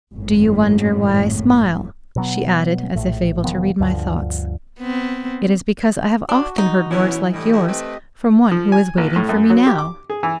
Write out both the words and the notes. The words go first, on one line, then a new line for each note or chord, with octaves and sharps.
"Do you wonder why I smile?" she added, as if able to read my thoughts. "It is because I have often heard words like yours from one who is waiting for me now."
G#1 F#2 A2
B2 F#3 B3
A#1 A2
E1 D#3 F3 B3
D2 G2 D3 F3
B3 C4
D4 F#4
D#4
B2 E3 C#4 E4
A2 D3 G3 G4 D#5
D2 A3 E4
A3 C4 B4
F3
G#5
A#1
A2
F#2
F#3
G4
D6
G#4
E3